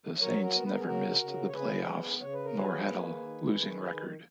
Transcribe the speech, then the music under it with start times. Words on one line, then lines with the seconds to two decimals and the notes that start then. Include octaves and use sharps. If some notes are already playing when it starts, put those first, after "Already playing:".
The Saints never missed the playoffs nor had a losing record.
0.21 F#3 A#4 C#5
0.43 F#4 A#4
0.54 B3
0.66 B4
0.73 A#4
0.79 G#4
0.86 C#3 F#4 A#4
1.20 C#3
1.48 C#5
1.54 C#3 G#4 B4
1.87 B3
2.21 C#3 C#5
2.33 B4
2.45 A#4
2.54 F#3 G#4 B4
2.88 A#3
3.20 D#3
3.54 D#3
3.88 D#3